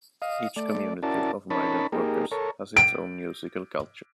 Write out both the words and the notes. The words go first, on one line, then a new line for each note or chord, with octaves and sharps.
Each community of migrant workers has its own musical culture.
D#5 F5
A3 D5
C#4 E4 F#4 A#4 D5 A5
C#4 D#4 A#4 C#5 A5 B5
A#3 D#4 G4 G#4 A#4
A4 A#4 C#5
D7